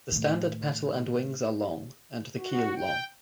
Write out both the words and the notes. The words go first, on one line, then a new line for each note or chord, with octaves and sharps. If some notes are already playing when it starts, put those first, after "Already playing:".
The standard petal and wings are long and the keel long.
A2 D#3
F#4
G5